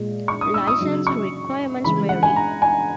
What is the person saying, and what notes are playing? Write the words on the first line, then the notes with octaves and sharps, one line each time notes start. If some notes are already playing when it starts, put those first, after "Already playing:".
License requirements vary.
Already playing: A#2 G#3
C#6
D#6
E6
D#6
C#3 F#3
C#6
C#3 E3 G#3 B5
F#5
G#5
A#5
G#5